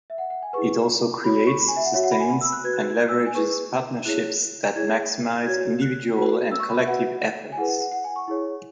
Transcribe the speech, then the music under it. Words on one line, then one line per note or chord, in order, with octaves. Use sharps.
It also creates, sustains and leverages partnerships that maximize individual and collective efforts.
E5
F#5
F#5
G#5
E4 G#4 B4 C#6
F#4 C#5 B5
B5
C#6
B5
G#5
E5
F#5
F#4 C#5 E5
F#5
B5
G#5
B5
E6
F#6
F#4 B4 G#6
F#6
G#6
F#6
E6
G#5
E4 G#4 B4 C#6
E4 G#4 C#5 F#6
E4 G#4 C#5 G#6
F#4 C#5 G#6
F#6
F#4 B4
E6
C#6
B5
E5
F#4 B4 F#5
G#5
E4 G#4 B4 F#5
F#5
F#5
F#5
G#5
C#6
E4 G#4 C#5